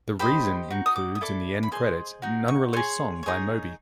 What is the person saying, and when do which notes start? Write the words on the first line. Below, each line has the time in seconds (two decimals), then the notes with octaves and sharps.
"The Reason" includes, in the end credits, an unreleased song by Moby.
0.19 G4 C5 D#5 B5
0.71 D#4 F#4
0.86 D#6
0.96 D6
1.15 D#6
1.21 E4 A4 D5 D6
1.63 B5
1.71 G#4 C5 D#5 C6
2.22 D#4 F#4
2.48 C#6
2.73 G#4 C#5 C6
3.23 D#4 G#4 C#5